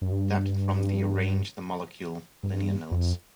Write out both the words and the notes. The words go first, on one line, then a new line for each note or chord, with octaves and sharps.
Adapted from the "Arrange the Molecule" liner notes.
F#2
G2
G2
F2